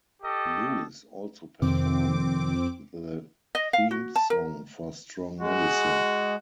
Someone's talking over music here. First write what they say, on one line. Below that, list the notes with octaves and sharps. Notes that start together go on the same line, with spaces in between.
Lewis also performed the theme song for "Strong Medicine".
G4 A4 D#5
F2 C3 D#3 C4 D6
D#5
F5
F#4
A5
A#4
G#3 F#4